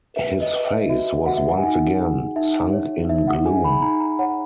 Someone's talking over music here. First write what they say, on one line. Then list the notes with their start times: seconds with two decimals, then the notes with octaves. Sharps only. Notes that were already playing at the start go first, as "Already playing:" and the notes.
His face was once again sunk in gloom.
0.16 B4 E5
0.41 D#5
0.53 B4
0.65 E5
0.90 F#4 E5
1.26 F#4 F#5
1.37 E5
1.48 F#5
1.58 G#5
1.63 D#4 F#5
2.00 G#4
2.36 D#4 E5
2.73 C#5
3.09 D#4 E5
3.27 F#5
3.46 G#4 G#5
3.64 B5
3.82 D#4 A#5
4.00 A#5
4.19 C#5 F#5